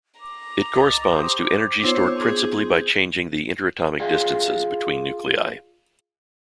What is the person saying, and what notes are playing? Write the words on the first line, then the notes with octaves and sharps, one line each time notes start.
It corresponds to energy stored principally by changing the inter-atomic distances between nuclei.
A#5 D6
C2 D#5 A6
G4 C5 D#6
B3 C4 D#4 F4 C5 C#5
G#4
F4 G#4 D5 F5 G5